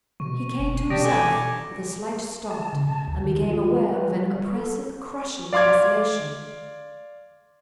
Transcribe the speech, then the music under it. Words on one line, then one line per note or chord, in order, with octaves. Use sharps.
He came to himself with a slight start, and became aware of an oppressive, crushing desolation.
B2 C#6 D#7
F1
B2 D4 G4 D#6 A#6 D7
A4 G#5 D6 G#6 D7
A5
C#3
A5
D2
D#3
F4
G3
B4
G3
A4
D5 F5 C6 D6 G#6